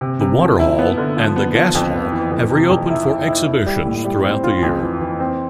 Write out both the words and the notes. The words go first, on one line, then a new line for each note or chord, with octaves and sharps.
The Waterhall and the Gas Hall have reopened for exhibitions throughout the year.
C3
C3
F3
E4
B3
D3
F3
B3
F3
F2
B3
E3
F2
C3
F2
E4
E4
E4
E4
G3
A2
G3
C4
F4
F2
E3
E3
C4